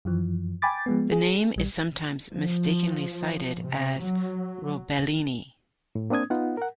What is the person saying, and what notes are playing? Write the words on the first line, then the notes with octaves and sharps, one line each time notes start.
The name is sometimes mistakenly cited as "roebelinii".
F#2 E3 F3
G5 G#5 B5 D6 A6
F3 G#3 B3
G#4
A#1 G3
F3
C3
F#3
A2
A#3 C4 D4 D#6 G#6
B3 D#4 F4 F#5
A#4 F#5